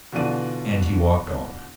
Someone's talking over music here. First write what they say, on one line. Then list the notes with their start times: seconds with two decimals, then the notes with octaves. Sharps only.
And he walked on.
0.12 B2 D3 E3 F4 D5 D#7